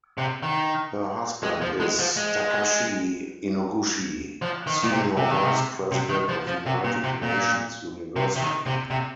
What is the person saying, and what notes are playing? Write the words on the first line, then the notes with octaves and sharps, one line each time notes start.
Her husband is Takashi Inoguchi, senior vice president of United Nations University.
C3
D#3
G#3
F3
G#3
F3
G#3
F3
D#3
A#2
C3
C3
D#3
C3
C3
D#3
F3
F3
C3
A#2
C3
A#2
C3
C3
D#3
C3
C3